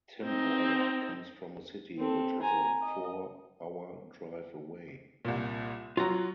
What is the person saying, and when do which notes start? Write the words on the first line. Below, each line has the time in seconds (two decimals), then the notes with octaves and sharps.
Tim, however, comes from a city which is a four-hour drive away.
0.23 C4 D#4
1.98 C4 A4
2.42 G#5 A#5
2.81 D#5
5.25 C2 A#2
5.97 F#3 F4 F#4 C#5 A#5